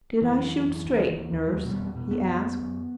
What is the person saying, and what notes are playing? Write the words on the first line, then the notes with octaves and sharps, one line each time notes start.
"Did I shoot straight, nurse?" he asked.
F#2 E3
F#2
F#2
F#2
D#2
D#2
D#2
D#2
E2 F#3
B2
G3
E2
B2
F#2 B3
F#2
F#2
F#2